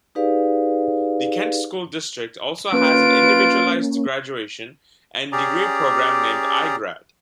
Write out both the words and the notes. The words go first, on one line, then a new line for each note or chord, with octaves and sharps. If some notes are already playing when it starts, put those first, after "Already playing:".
The Kent School District also has an individualized graduation and degree program named iGrad.
D#4 G4 G#4 B4 D5 F5
A#3 C#4 F4 B4 D7
C#4 G4 G#4 D5 A#5